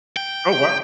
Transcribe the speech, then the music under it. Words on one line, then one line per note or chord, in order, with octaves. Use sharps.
Oh, wow.
G5